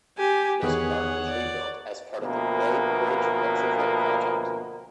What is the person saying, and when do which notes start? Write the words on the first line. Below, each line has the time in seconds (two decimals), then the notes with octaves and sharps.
This part was rebuilt as part of the Bay Bridge retrofit project.
0.18 G4 G#5
0.63 E2 D#3 B3 G#4 C#5 F#5
1.27 D5
2.21 D2 B2 F3 A#3 B3